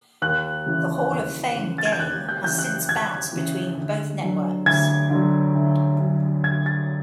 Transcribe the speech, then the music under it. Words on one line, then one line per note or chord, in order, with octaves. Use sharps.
The Hall of Fame Game has since bounced between both networks.
D#2 F#6
C#3 E3
D#2
C#3 E3
A6
G#6
G6
D#2 F#6
G6
F#6
C#3 E3 G6
F#6
D#2 G#6
C#3 E3
D2
D3 F#3
D2 G#6
D3 F#3
D2
D3 F#3
D2 G#6
A6